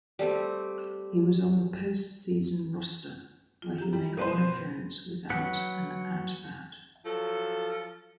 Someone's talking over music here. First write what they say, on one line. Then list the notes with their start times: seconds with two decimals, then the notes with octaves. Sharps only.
He was on the post-season roster, where he made one appearance without an at-bat.
0.19 G3 A3 C4 G4
3.62 F4
3.78 G4 A#5
3.93 G3
4.17 B2 A#3 C4 B4 C5
5.30 F#3 B4 F#5
7.04 F3 F#3 A4